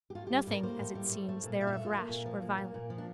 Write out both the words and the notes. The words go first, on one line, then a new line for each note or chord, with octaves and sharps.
Nothing, as it seems, there of rash or violent.
G4
A2 F4
G3 G4
A2 A#4
A#3 C5
A2
G3
A3
A3
A#2
A#2 E5
F5
A3 E5
F4
A3 A#3
A#2
F3
A#2
A#3
A#2
F3
D4